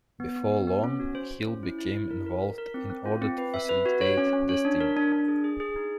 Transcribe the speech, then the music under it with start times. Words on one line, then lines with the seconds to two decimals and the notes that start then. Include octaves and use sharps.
Before long, Hill became involved in order to facilitate the sting.
0.20 B3
0.36 B3
0.52 B3
0.67 B3
0.84 C#4
1.00 F#4
1.15 C5
1.31 C5
1.47 C#4
1.63 E4
1.79 E4
1.95 E4
2.10 A#4
2.26 A#4
2.42 A#4
2.58 A#4
2.74 C4
2.90 C4
3.06 F4
3.22 C4
3.38 B4
3.54 E5
3.69 B4
3.86 F#4
4.01 C#5
4.17 C#4
4.33 C#4
4.49 C#5
4.65 D4
4.81 A#4
4.97 D4
5.12 D4
5.28 G#4
5.44 G#4
5.60 G#4
5.76 D#4